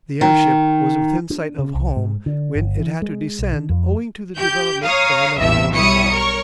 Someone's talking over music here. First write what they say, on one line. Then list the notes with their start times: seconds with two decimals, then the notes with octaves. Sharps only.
The airship was within sight of home when it had to descend owing to the development of another motor fault.
0.21 D#3
1.30 D4
1.59 C#3
1.74 C2
1.96 G#2
2.26 D3
2.55 G1
2.79 E3
3.02 G#3
3.39 B1
3.53 D#3
3.70 F2
4.36 G4 G6
4.83 C#5 F5 A#5 D#6
5.38 A1 E2 G2 E5 E6
5.73 B1 G3 E4 C#5 D#6 C#7
6.12 A#4 C#5 C#6